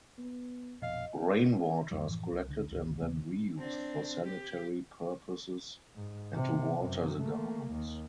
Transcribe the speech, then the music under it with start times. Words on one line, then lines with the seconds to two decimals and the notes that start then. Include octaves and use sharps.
Rainwater is collected and then reused for sanitary purposes and to water the gardens.
0.18 B3
0.82 A#1 F2 B2 D#5 F5
1.91 C2 F2 D#3 G3
2.08 F#2 A2 E3 F3
2.31 C2
2.48 C#2 D3
2.71 G#1 D2
3.02 D#2 C#3 A#3 B3
3.59 C4 D4
4.24 G4
5.96 G#2
6.35 C3
6.79 F#2 C3
7.19 A3 A#3
7.72 D#2